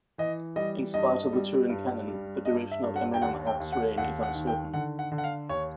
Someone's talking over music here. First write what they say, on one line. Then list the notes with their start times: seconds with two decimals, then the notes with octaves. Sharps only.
In spite of the Turin canon, the duration of Amenemhat's reign is uncertain.
0.18 E3 D#5
0.56 G3 D#5
0.94 G2 D#5
1.33 G3
1.69 G2
2.08 G3
2.45 G2 D#5
2.71 E5
2.83 G2
2.96 F#5
3.14 G5
3.21 D#2 F#5
3.47 G5
3.60 D#2
3.72 F#5
3.98 D#2 F#5
4.23 F#5
4.35 D#3
4.47 G5
4.74 D3 F#5
4.99 F#5
5.12 D3
5.18 F#5
5.24 F5
5.49 D#2 C#5